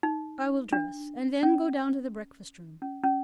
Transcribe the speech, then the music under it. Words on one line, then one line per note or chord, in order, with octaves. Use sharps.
I will dress, and then go down to the breakfast-room.
D#4
D4
C#4
C#4
C#4